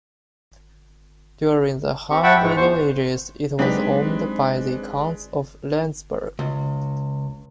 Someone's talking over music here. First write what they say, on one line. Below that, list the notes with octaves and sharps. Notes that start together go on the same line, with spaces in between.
During the High Middle Ages it was owned by the Counts of Lenzburg.
C4 G4 C#6
E5 F#5 G5 A5 B5 C#6
G#2 E3 G#3
E2 C5 C#6
F#3 G#3 C4 D4 D#4 G4 B4 B6
C#2